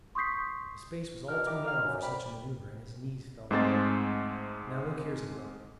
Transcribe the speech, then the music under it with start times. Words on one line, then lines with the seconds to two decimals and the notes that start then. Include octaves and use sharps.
The space was all too narrow for such a maneuvre, and his knees felt hard. "Now look here," said Willis.
0.15 C6 C#6 D#6 G6 B6 C7
1.29 B2 D4 D#4 A#4 F6
1.46 D#4 E4 G4 A#5 D6
1.66 D#3 G5 F6
1.84 F#2
2.01 C5 D5 G5 B5
3.51 G#2 G#3 A3 C4 C5 A6